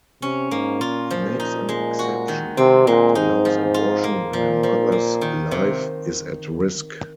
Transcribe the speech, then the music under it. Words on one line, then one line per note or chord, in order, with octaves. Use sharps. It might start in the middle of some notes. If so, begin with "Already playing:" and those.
He makes an exception and allows abortion when a mother's life is at risk.
C3 C#4
G#2 A#3
A#2 F4
F3
D#4
G#3
F#4
D#3
C3 C4
A#2 G#3
G#2 D#4
F3
F4
A#3
A#2 F3
F3
A#3
D#3
C3